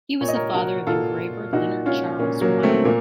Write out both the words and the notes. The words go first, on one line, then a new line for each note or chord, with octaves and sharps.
He was the father of engraver Leonard Charles Wyon.
A#2 C#5
D#5
A#4 C#5
F#4 A#4
A#2 F4 A4
A#2 D#4 F#4
C#4 F4
A#2 A#3 C#4
F#3 A#3
A3 C4
A#2 A#3